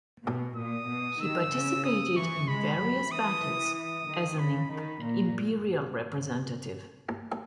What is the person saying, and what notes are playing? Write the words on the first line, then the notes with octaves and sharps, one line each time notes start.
He participated in various battles as an imperial representative.
B2
A#2 D#6
B2
D#3 E6
C#3
D#6
E3 C#6
G#3 B5
F#3
E3 D#6
D#6
D#3
C#3 B5
D#3 B5
A#2 A#5